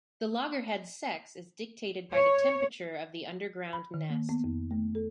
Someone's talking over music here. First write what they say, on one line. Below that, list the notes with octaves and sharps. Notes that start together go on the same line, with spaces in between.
The loggerhead's sex is dictated by the temperature of the underground nest.
C#5
B5
D#3
A#3
B3
F2
A3
A4